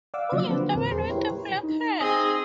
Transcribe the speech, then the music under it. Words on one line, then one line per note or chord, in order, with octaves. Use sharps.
Who is the man with the black hat?
D5 F5 F#5 D6 E6
C#3 F3 F#3 A#3
D3 C4 F#4 B4 C5
E2 A#2 A#4
G#4 C5 C6
E4 G4 A#4 B4 C#5
D#4
C4 G#4 D#5